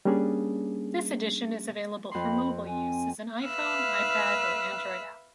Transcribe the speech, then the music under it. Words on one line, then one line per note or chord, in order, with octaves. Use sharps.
This edition is available for mobile use as an iPhone, iPad, or Android app.
G3 A#3 C#4 D4 G#4
F2 B5 C6
C4 G#5
B4 E5 F5 E6 F#6